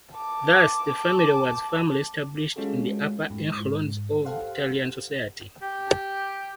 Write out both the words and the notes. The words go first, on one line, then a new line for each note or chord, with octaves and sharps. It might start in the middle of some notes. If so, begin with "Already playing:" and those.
Thus the family was firmly established in the upper echelons of Italian Society.
A5 D6
G#3 C#4 F4 F#4 A4
G#2
G4 A4 C5 F5 F#5 C6
G4